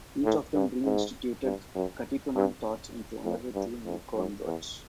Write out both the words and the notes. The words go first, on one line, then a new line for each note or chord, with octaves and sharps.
Each of them re-instituted Katipunan thoughts into another two new converts.
A2
G2
G#2
G2
F#2
G2
F2
G2
F2
F#2
E2